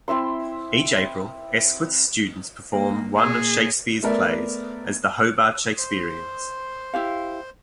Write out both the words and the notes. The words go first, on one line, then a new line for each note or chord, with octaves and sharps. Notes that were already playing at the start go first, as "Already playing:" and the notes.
Each April, Esquith's students perform one of Shakespeare's plays as "The Hobart Shakespeareans".
C4 E4 E5 C6
A#3
A#2 G#4
A3 B3 A#4 D5 E5
C5 C6
E4 G4 F5